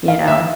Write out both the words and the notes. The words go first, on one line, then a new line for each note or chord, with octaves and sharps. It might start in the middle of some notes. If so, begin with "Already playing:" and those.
You know?
F5
E5